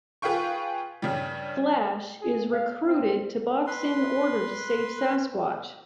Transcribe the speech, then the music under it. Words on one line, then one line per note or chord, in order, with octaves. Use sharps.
Flash is recruited to box in order to save Sasquatch.
F4 G#4 B4 F5 G5 C#6
G2 C#3 G3
G#4
F5
C4
B4 C6